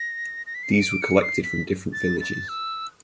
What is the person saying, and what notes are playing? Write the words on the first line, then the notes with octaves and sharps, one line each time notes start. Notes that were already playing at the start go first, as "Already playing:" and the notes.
These were collected from different villages.
Already playing: A#6
A#6
B6
C7
C#7
D7
C#7
C7
B6
A6
A6
E6